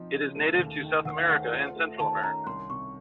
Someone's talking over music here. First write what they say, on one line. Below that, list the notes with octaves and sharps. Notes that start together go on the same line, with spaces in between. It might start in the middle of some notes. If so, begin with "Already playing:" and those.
It is native to South America and Central America.
Already playing: F3 C4 D#4
C#3
A3
D#2
D#3
D#2 F#5
F5
A3 F#5
F4
A3
D#3 A5
C#4 A#5
C2 C6
C3 C#6